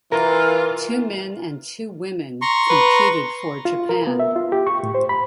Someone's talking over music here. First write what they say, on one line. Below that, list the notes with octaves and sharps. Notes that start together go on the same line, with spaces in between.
Two men and two women competed for Japan.
E3 F4 A#4
A#5 C6 C#6
B4
F4
A#4
B3
E5
F4
G4
C#6
A2
C5
B5